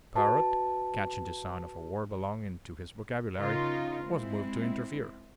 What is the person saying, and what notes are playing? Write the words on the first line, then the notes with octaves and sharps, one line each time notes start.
The parrot, catching the sound of a word belonging to his vocabulary, was moved to interfere.
F#4 B4 A5
C#3 D#4 F4 A#4
G#3 C4 E4